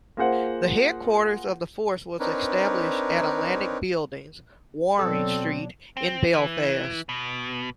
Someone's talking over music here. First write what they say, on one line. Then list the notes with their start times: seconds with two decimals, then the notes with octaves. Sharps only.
The headquarters of the force was established at Atlantic Buildings, Waring Street, in Belfast.
0.17 A#3 F4 G#4 C5 F#5
2.20 C4 D4 D#4 A#4 B4 C#5
4.99 B2 F#3 C4 D4 A4 C#5
5.97 C4
6.34 E3
7.09 B2